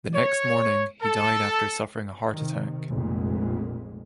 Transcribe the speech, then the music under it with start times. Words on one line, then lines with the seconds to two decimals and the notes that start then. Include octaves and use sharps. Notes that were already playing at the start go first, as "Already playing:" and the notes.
The next morning, he died after suffering a heart attack.
0.15 C#5
1.01 A4
2.33 C3 D#3
2.90 F1 A#1 F2 A#2 G#3